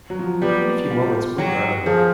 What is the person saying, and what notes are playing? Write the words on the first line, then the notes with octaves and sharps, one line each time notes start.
In a few moments we were on the roof.
F#3
F3
F#3
G3 B3
F4
F#3 G4
F3 G#4